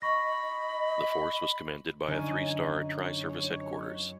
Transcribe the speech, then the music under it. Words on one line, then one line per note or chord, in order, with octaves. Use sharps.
The force was commanded by a three-star tri-service headquarters.
D#5 B5 C#6 A#6
F#2 D3 C#4 D#4 C#5 G#5
C#5